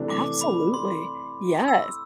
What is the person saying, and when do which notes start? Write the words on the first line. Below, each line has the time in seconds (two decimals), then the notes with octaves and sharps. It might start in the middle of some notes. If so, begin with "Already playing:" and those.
Absolutely. Yes.
Already playing: C3 E3 A3 D4
0.10 D6
0.41 B5
0.74 C6
1.68 E6